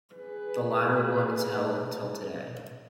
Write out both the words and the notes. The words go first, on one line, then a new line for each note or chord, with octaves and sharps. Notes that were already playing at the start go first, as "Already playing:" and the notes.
The latter one is held till today.
G#4 B4